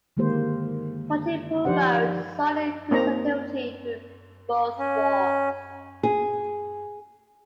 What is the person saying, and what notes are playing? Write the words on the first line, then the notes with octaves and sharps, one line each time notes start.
Pontypool Road saw an increased activity during both wars.
D3 D#3 G#3 A#3 G4 C5
F3 D#4 G4 C5 D5 F#5
A#3 C4 D#4 A#5
C#4
G#4